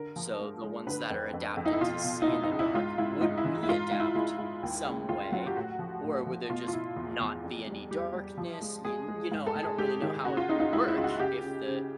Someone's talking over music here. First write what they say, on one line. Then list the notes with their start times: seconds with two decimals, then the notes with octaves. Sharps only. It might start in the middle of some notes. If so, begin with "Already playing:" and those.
so, the ones that are adapted to see in the dark would we adapt some way, or would there just not be any darkness? Y you know, I don't really know how it would work if the
Already playing: D3 A#4
0.16 F3
0.40 G#3
0.63 G#3
0.87 D3 B4
1.10 F2
1.33 F2
1.57 F2
1.65 D#4
1.73 E4
1.81 B2 F4
2.04 B2
2.22 D#4
2.27 B2 E4
2.43 D#4
2.51 C#2
2.59 E4
2.74 G#2 F4
2.98 G#2 E4
3.21 G#2 D#4
3.38 E4
3.45 E3
3.63 E4
3.69 G#2 F4
3.91 G#2
4.00 E4
4.15 G#3 E4
4.39 G#2
4.63 D#2
4.86 C#3
5.09 D#2 F4
5.32 F#3 F#4
5.46 G4
5.56 A2 F#4
5.79 F3
6.03 A2
6.27 F3
6.49 B2 F4
6.68 F4
6.73 B2 E4
6.96 E2
7.20 E2
7.43 F2
7.67 G3
7.91 G3 G4
8.14 G3
8.37 F3
8.61 G#3
8.84 G#3 G#4
9.08 G#3
9.32 G#2
9.47 A4
9.55 G#3
9.63 G#4
9.78 G#3 G4
10.01 D#3 G4
10.25 C#3 F#4
10.37 F4
10.49 C#2 D#4
10.60 D#4
10.72 G#3 E4
10.88 E4
10.95 C#2 F4
11.04 F#4
11.19 C#3 G4
11.42 C#3
11.66 C#3